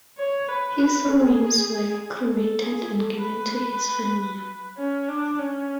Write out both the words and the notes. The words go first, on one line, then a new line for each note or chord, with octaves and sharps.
His remains were cremated and given to his family.
C#5
B4
B4
G#4
A4
G#4
A4
B4
C#4
D4
C#4